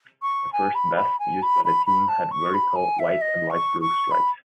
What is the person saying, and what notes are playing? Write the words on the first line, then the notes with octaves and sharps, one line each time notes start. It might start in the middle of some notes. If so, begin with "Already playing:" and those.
The first vest used by the team had vertical white and light blue stripes.
C#6
G#5
B5
B5
G#5
B5
B5
B5
A5
C#6
B5
G#5
E5
D#5
C#6
C#6
B5